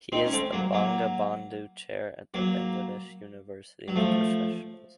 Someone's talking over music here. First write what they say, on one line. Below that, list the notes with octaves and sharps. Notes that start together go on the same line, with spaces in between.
He is the Bangabandhu Chair at the Bangladesh University of Professionals.
C4 D#4
C#4
A3 C4
F#3 A#3
F#3 A#3
F#3 A#3
F#3
F3 A3